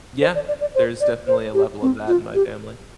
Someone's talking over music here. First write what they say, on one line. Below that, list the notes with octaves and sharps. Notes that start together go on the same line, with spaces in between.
Yeah, there's definitely a level of that in my family.
C5
D5
D5
D5
C5
D5
C5
G4
C4
F4
G4